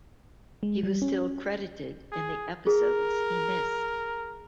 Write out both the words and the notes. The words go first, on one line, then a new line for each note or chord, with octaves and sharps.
He was still credited in the episodes he missed.
G#3
G3
C#4
G#4
G#4 A#4